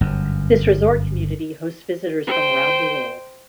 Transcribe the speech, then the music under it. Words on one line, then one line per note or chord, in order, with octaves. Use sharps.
This resort community hosts visitors from around the world.
G1 F#2
C5 G5